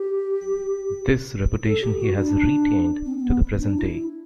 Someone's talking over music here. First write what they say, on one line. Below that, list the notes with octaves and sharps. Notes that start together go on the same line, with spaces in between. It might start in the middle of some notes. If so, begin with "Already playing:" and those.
This reputation he has retained to the present day.
Already playing: G4
A4
G4
F#4
D4
C4
C4
B3
D4
E4